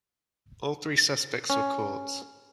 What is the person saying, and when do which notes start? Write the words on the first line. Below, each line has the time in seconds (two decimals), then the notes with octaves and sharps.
All three suspects were caught.
1.50 C#4